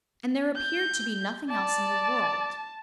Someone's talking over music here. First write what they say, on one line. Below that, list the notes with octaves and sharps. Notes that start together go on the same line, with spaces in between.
And there appeared to be nothing else in the world.
G6
D5 A5